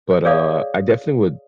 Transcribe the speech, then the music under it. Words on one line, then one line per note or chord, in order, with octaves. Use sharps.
but, uh, I definitely would
G#4 C#5 D5 F5 D#6